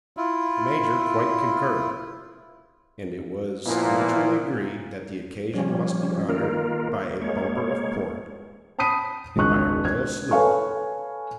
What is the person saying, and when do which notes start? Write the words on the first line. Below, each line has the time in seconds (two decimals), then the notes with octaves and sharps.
The major quite concurred; and it was mutually agreed that the occasion must be honored by a bumper of port, and by a royal salute.
0.17 E4 F4
3.66 A#2 F3 A#3 B3 E4
5.54 F3 G3 C#4
6.29 D#3 A#3 F4 A#4
7.22 G#3 A#3 C#5
8.79 A5 B5 D#6 B6 D#7
9.36 G#1 C#2 G#3 D4 C#6 F#6
9.85 G#6
10.31 A4 B4 C#5 F5 G#5 C#6